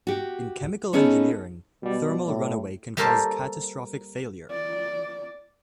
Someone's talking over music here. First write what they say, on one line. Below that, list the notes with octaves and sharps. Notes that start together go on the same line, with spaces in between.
In chemical engineering, thermal runaway can cause catastrophic failure.
F#4 G4
B3 C#4 D#4 G#4 A4
B2 G3 D5
A2
G3 A#3 A4 A#4 C5 D5
D5